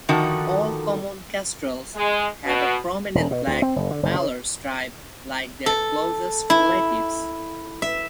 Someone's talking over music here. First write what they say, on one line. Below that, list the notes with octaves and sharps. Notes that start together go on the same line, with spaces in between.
All common kestrels have a prominent black malar stripe like their closest relatives.
D3 D#3 F3 D#4 F#4
G#3
B2
E1
B2
D2
C4
F#1
D3
F#1
C#3
A4
E4
E5